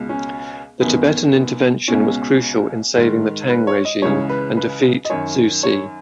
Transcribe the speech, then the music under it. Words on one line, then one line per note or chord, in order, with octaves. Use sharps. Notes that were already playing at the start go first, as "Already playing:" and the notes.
The Tibetan intervention was crucial in saving the Tang regime and defeat Zhu Ci.
Already playing: C#2 B2
C#4
F#2 D#3 B3
B3
C#2 B2 C#4
G#2 D#3
B4
C#5
D#5
C#2 C#3 E3 C#5
B4
B4
D#5
F#2 D#3 C#5
C#5